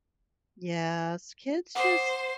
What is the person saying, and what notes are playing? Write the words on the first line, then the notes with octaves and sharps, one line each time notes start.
Yes, kids just
C5 F#5 D6 D#6